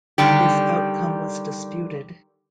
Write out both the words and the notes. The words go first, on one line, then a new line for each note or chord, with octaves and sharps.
This outcome was disputed.
D3 D#3 G3 G4